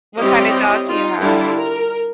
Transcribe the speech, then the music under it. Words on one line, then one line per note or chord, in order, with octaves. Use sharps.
What kinda dog do you have?
G3 C4 E4 G4 C#5 D#5
D#4 F4
D3 G3 D4 E4 F4 A4
A#4